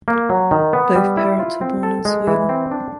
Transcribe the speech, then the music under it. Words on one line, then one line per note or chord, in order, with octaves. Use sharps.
Both parents were born in Sweden.
A#3
F#3
D#3
B3
G3
E4
F4
C4
A4
G#3
E3
C4
D4